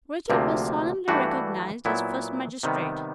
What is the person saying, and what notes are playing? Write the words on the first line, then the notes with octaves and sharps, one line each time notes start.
Richard was solemnly recognised as first magistrate.
D2 C3 F3 A#3
G2 E3 A3 D4 F#4
A#2 F#3 B3 E4
C3 D#3 G3 B3